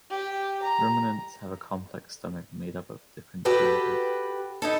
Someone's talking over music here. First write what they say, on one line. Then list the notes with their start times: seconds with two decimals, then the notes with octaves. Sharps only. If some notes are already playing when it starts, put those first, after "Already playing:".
Ruminants have a complex stomach made up of different chambers.
0.10 G4
0.62 A#5
3.45 F#4 G4 A4 B4 G5
4.62 D#4 E4 A4